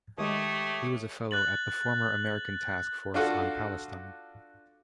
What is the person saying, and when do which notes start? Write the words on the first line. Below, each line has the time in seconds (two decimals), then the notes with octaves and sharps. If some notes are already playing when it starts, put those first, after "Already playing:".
He was a Fellow at the former American Task Force on Palestine.
0.18 D#3 G#3 A3 G4 C#5 D#6
1.31 F#6 A6 F#7
3.14 D4 F4 F#4 A4